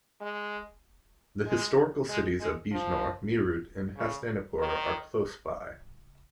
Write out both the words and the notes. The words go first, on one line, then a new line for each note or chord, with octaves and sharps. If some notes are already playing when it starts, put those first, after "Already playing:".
The historical cities of Bijnor, Meerut and Hastinapur are close by.
G#3
G#3
G#3
G#3
F3
C#3
D#3